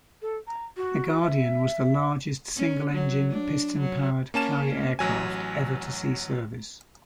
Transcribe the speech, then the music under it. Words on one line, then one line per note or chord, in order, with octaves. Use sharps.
The Guardian was the largest single-engine piston-powered carrier aircraft ever to see service.
A4
A#5
F#4
E5
C#4
F#3
D4
F#3
A#3 C#4 A5 E7
A1 F#3 G#5